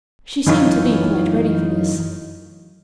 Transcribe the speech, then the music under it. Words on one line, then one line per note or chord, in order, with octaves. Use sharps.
She seemed to be quite ready for this.
F#2 E3 D#4 F4 G#4 C#5